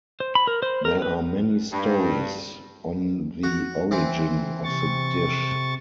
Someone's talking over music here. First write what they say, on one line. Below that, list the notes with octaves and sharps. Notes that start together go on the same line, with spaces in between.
There are many stories on the origin of the dish.
C5
B5
A#4
C5
A#4
B4
G2
F#4
E3 C4
C3 C#6 A6